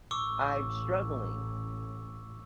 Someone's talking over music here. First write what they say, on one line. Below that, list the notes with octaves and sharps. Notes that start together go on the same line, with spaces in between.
I'm struggling."
A1 C#6 D6 E6